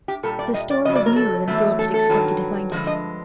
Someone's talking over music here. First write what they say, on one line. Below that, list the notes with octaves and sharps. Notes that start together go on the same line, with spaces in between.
The store was nearer than Philip had expected to find it.
G4
A#2 G3 A4
D5
D#5
D5
F2 C#3 F#3 D#5
D5
A#4
A4
E2 C#3 F#3 A3
A4
A4
G2 D#3 F#3
G2 D3 F3 G#3
D#5